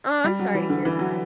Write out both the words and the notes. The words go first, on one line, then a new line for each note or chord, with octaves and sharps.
Oh, I'm sorry to hear that.
G3
F#3
E3
D3
E3
F#3